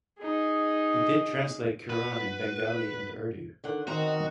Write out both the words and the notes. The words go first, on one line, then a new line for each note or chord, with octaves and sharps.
He did translate Quran in Bengali and Urdu.
D#4 G#4
F#4 B4 F#5
D3 D#3 F#5
D#3 C4 D#4 F#4 A#5